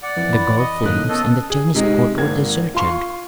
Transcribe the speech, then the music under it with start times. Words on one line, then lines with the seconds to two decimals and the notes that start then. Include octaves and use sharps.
The golf links and the tennis court were deserted.
0.03 D5 F#5
0.16 F2 E3
0.33 B5
0.59 D#5
0.83 A2 D#3 A#3 C#4 A4 F#6
1.09 B3 A4 D#5 G6
1.50 G#4
1.74 C3 G#3 D#4
2.17 G#1 A#3 G#6
2.75 F4 C6 C#6